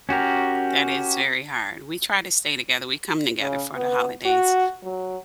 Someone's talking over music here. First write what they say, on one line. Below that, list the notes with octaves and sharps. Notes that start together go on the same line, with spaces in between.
That is very hard, we try to stay together, we come together for the holidays,
C#4 F#4 G4 A#4
C#3
B3
F#4
F#3